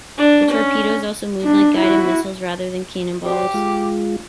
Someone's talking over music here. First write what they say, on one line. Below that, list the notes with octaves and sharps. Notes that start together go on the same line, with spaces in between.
The torpedoes also moved like guided missiles rather than cannonballs.
D4
C#4
D4
E4 F#4
F#4 G4 C5 D5
G#3 F4